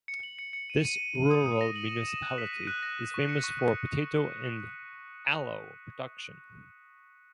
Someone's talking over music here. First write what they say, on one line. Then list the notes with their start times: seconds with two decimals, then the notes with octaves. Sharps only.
This rural municipality is famous for Potato and "Allo" production.
0.08 C#7
0.23 F#7
0.39 C#7
0.53 C#7
0.70 D#7
0.85 D#7
0.99 D#7
1.15 D#7
1.31 D#6
1.46 D#6
1.61 A#6
1.76 F#7
1.91 E7
2.07 E7
2.23 F#6
2.38 B6
2.53 D#7
2.67 F#6
2.83 A#6
2.98 A#6
3.14 C#6
3.29 C#7
3.44 C#6
3.59 C#6